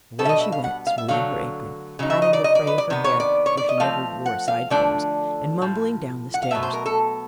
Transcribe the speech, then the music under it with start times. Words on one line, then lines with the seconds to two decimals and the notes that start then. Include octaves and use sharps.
Away she went, smoothing her apron, patting the fray of her hair--for she never wore side-combs--and mumbling down the stairs.
0.19 B2 G3 B3 D4 A4
0.25 E5
0.29 D#5
0.40 E5
0.52 F5
0.64 F#5
0.87 F5
0.98 E5
1.08 D3 F#3 A3 F5
1.99 C#3 F#3 D#4
2.10 E5
2.22 D#5
2.33 D5
2.44 D#5
2.55 D5
2.67 B4
2.78 D5
2.90 C3 D#3 B3
3.04 C#5
3.20 D5
3.46 C#5
3.57 D5
3.69 D#5
3.80 F3 A3 C4 F5
4.26 F#5
4.48 F5
4.70 D3 F3 A3 D4 D5
5.61 A2 F3
6.34 F#5
6.43 F5
6.51 B2 F#3 A3 E5
6.63 C5
6.73 A#4
6.86 A4